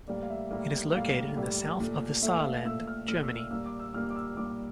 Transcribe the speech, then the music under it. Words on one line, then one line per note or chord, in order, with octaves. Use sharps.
It is located in the south of the Saarland, Germany.
A2 G3 A#3 D5
F5
E5
A2 G3 A#3
A2 G3 A#3 F5
A2 G3 A#3
A#2 A3
A#2 A3 E5
F5
A#2 A3 E6
F6
A#2 A3 F6
E6
E6
A#2 G3 A#3 E6
D6
E6
A#2 G3 A#3 F6
D6
E6
A#2 G3 A#3 D6